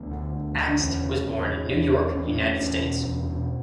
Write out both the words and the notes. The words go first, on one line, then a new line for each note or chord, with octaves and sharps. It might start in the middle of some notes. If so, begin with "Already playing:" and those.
Akst was born in New York, United States.
Already playing: D2 B3
D3
D2
D3
D4
E2 C#4
C#3
E2
C#3
E2
C#3
E2 C#4
D4
C#3 C#4
E2 C#4
B2
E2
B2